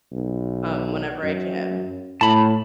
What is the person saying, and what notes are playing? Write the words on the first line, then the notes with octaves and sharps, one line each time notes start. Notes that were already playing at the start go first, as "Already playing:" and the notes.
um, whenever I can.
B1
F#2
A2 A5 B5